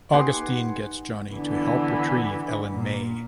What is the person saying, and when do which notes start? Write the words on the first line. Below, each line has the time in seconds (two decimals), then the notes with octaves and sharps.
Augustine gets Johnny to help retrieve Ellen May.
0.13 D#4 G4 B4 F#5 G#5 C6
1.36 D3 E3 B3
2.73 A#2